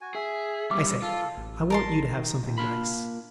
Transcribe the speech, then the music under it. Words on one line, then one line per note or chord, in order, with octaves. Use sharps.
I say, I want you to have something nice.
F#4 G#5
G#4 E5
A#2 G3 D6
F4 A4
A1
A#4 A5 C6
D#3
D#2 G#2
A#3 D4 F4 B5